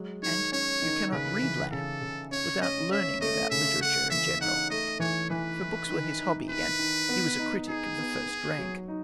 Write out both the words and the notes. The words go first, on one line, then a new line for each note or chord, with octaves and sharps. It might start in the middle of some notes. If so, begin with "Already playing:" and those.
And you cannot read Lamb without learning about literature in general; for books were his hobby, and he was a critic of the first rank.
Already playing: F#3 G#3
D#3 C#5
C#4 C#5
D#3
C#3 B4
E3
C#3 A4
C#3
C#4 C#5
C#4 D#5
C#4 E5
A3 D#5
C#3 E5
A3 F#5
E3 E5
D#4 F#5
A3 D#5
E3 C#5
E3 B4
E3
D#3
D#4
D#3 B4
D#3
B3
D#4
D#4 G#4
B3
B3
F#3
D#4